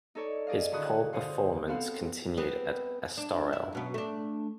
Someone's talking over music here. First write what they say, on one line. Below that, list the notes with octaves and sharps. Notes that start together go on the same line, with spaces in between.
His poor performance continued at Estoril.
D#4 A4 C#5 D5
G#4 D5 D#5 F5
D3 D#3 E4 F#4 D#6 F#6
D3 C5 F5 F#5 D#6
B3 C4 A4 F5 F#5
B3 C4 B4
D4
E4
F#2 B2 B3
A3 D4